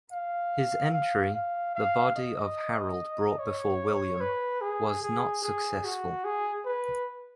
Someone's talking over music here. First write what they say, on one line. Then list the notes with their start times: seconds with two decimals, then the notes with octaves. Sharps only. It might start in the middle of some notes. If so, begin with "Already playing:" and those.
His entry, "The Body of Harold Brought before William", was not successful.
0.11 F5
0.93 F5
1.34 F5
1.75 F5
2.16 D#5
3.39 C#5
4.21 B4
4.62 G#4
5.03 G#4
5.43 G#4
5.85 F#4
6.25 G#4
6.65 B4